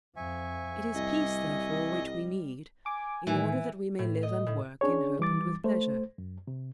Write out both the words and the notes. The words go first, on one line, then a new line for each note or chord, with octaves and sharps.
It is Peace, therefore, which we need in order that we may live and work in hope and with pleasure.
F2 F3 E5 G#5 C#6
C2 G3 D#5
G#5 D6
A2 D#3 E3 G#5
A2
D#5
A2
C#4 D4 G#4 C#5
E3 G3 D6 A6
A3 C5
F#2
C3